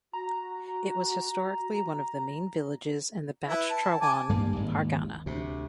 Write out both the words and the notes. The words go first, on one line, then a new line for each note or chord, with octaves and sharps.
It was historically one of the main villages in the Bachhrawan pargana.
F#4 A#5
E4 B4
A5
G#5 A5 D6
G2 G3 A#3
G#1 D#2
D2 C3